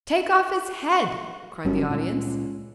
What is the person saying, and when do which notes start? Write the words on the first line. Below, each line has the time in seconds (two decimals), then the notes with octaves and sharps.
"Take off his head!" cried the audience.
1.65 G1 F#2 G3 C#4
1.90 C#2 A#2